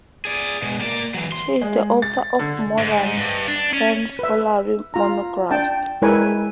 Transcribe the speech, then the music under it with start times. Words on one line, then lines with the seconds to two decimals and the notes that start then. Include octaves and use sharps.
She is the author of more than ten scholarly monographs.
0.25 G#4 D5
0.62 B2 G#3
0.81 A#3 D5
1.14 E3 F#3
1.32 C6
1.62 G#3
2.02 A6
2.39 D3
2.78 G#2
3.17 G2
3.48 D4
3.73 C#4
4.19 B4 E5
4.94 F4 A#5
5.51 D4 G5 A5
6.02 G#3 E4 A#4 B4 C#5 G#5